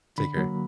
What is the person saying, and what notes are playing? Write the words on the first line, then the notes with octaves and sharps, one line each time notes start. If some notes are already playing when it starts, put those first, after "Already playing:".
Take care.
D3 B5
F#3 A#3